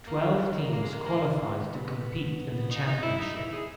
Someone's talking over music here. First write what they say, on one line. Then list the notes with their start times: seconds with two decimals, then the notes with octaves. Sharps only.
Twelve teams qualified to compete in the championship.
0.07 A#3
0.29 G#3
0.51 A#3
0.73 A#3
0.83 G#3
0.91 A#3
1.06 A#3
1.39 B3
2.71 D#4
2.87 D#4
3.03 E4
3.19 D#4
3.36 E4
3.52 G#4